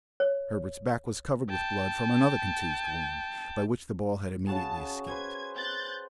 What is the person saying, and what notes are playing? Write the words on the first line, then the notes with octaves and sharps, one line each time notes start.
Herberts back was covered with blood from another contused wound, by which the ball had immediately escaped.
C#5
G5 A5
C#3 F#4 G#4 A5
B4 C5 G#5 G#6
F#6 G6 A6